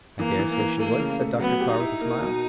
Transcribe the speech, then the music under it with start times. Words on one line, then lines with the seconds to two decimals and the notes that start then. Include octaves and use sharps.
"I dare say she would," said Dr. Carr, with a smile.
0.19 E3 A#3
0.39 E3
0.50 A#3
0.60 E3
0.79 A3 A#3
0.99 C#3
1.20 A3
1.40 F#3 B3
1.60 G4
1.70 D#4
1.80 E4
2.01 A#3
2.21 B2